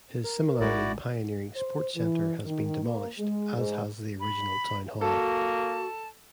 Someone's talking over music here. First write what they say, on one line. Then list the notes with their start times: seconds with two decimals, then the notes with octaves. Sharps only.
His similarly pioneering Sports Centre has been demolished, as has the original town hall.
0.24 A#4
0.60 A1 G#3 E4 F#4 D5
1.55 C5
1.96 E3
2.45 D#3
2.84 A#3
3.19 G#3
3.56 G#2
4.20 B5
5.01 A#3 F#4 A4 A5